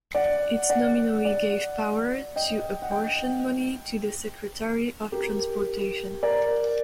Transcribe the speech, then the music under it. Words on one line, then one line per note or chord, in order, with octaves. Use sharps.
It nominally gave power to apportion money to the Secretary of Transportation.
D5 F#5
D5 F#5
D5 F#5
D#5 G5
F#5
D#5 G5
G4 A#4
A#4 D5